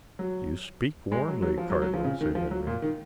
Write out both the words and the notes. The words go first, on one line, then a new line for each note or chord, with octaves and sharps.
"You speak warmly, cardinal," said Henry.
F#3
G#3
F#3
F#3
F3
F#3
F#3
F3
C#3
D#3
F3
F#3
A#2
D#3